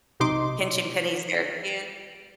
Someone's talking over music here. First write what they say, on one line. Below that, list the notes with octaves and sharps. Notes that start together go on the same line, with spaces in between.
pinching pennies there too.
B1 C3 D#4 C6 D6